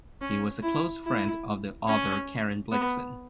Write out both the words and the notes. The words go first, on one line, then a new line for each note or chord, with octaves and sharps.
He was a close friend of the author Karen Blixen.
C#4
E4
E4
C#4
B3